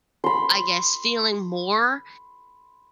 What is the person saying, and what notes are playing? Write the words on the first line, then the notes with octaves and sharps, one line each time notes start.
I guess, feeling more
B5 C6